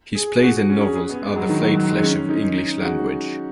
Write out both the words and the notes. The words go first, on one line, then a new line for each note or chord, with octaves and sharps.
His plays and novels are the flayed flesh of English language.
G#4
F#4
F#4
C#4
G#4
G#4
B3
G#3
F#3
D#3
F#3
F#3
G#3
C#4
D#4
D#4
G#4
F#4